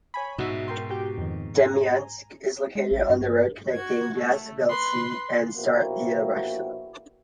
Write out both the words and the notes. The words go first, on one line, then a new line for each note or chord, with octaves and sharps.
Demyansk is located on the road connecting Yazhelbitsy and Staraya Russa.
C#5 G#5 B5
G#2 B2 D#4 F#4 E5
A#4 G5 C6
F#4 G4 G5
F2 D#3
G#5 A#5
G#3
A1
G2
F#4 G#6
A3
B4 C6
A#1 B2 A#3 E4 F#4 G4